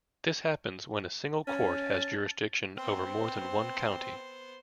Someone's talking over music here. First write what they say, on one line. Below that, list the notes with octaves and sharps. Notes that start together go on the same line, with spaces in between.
This happens when a single court has jurisdiction over more than one county.
C#4 A5
B3 C4 C5